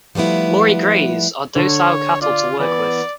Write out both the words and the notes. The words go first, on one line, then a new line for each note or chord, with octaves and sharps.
Murray Greys are docile cattle to work with.
F3 G3 A3 B3 E4
D3 C#5
F4 D5
E3 B3 B4 D5